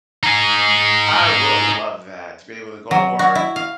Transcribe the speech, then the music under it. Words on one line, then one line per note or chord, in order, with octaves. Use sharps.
I will love that to be able to go to work,
D#4 G#4
F#3
F#4
E4
F5